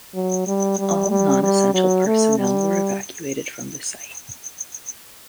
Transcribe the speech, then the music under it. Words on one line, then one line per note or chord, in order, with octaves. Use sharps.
All non-essential personnel were evacuated from the site.
F#3
G3
G3
G3
G3
F#3
A3
G3